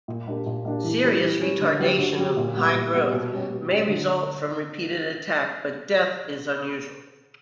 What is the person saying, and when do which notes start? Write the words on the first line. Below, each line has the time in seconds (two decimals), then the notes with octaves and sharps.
Serious retardation of high growth may result from repeated attack but death is unusual.
0.08 A#2
0.27 A#3 D4 G4
0.46 A#2
0.65 A#3 D4 G4
0.84 E3
1.03 G3 C#4
1.22 E3
1.41 G3 C#4
1.61 D3
1.80 F#3 C#4 G4
1.99 D3
2.17 F#3 C#4 G4
2.37 A#2
2.55 G3 B3
2.74 A#2
2.94 G3 B3
3.12 B2
3.31 G3 C#4 G4
3.51 B2
3.70 G3 C#4 G4
3.88 D3